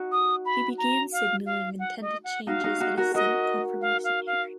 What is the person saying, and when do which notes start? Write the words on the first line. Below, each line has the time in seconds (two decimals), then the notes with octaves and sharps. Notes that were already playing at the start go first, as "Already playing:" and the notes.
He began signaling intended changes at his Senate confirmation hearing.
Already playing: D#4 F#4
0.12 D#6
0.46 B5
0.78 A#5
1.12 F5
1.46 F5
1.79 F#5
2.02 D#5
2.24 F#5
2.47 D#4 F#4 F5
2.64 D#4 F#4
2.80 D#4 F#4
2.97 F#4 A#4
3.14 F#4 A#4 D#5
3.81 F5
4.04 F5
4.27 F5